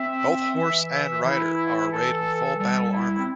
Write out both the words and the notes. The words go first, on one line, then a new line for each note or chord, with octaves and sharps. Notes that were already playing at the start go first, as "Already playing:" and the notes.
Both horse and rider are arrayed in full battle armor.
Already playing: C4 E5
E3
E5
E3 E4
A4
G3 A4
E4
C4